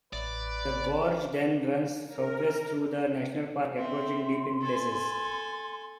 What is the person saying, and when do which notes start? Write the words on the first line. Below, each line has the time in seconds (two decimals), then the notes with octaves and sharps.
The gorge then runs southwest through the national park, approaching deep in places.
0.13 A1 B4 D5
2.08 A#4
3.77 C4 E5 C6
4.61 A4 G#5